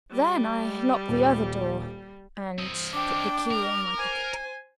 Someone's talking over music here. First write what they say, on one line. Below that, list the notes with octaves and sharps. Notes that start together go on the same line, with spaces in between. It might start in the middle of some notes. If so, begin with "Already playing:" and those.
Then I locked the other door, and put the key in my pocket.
G3
D#1
C4 D#5
D4 G5 D6
A#4
C5 G#5